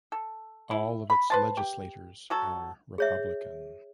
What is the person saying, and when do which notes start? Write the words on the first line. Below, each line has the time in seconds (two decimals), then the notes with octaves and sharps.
All of its legislators are Republican.
0.12 A4
0.71 E4
1.10 B5
1.30 B4 C5 A5
1.57 G4
2.30 F#3 F#4 A4
2.98 G#4 C#5 E5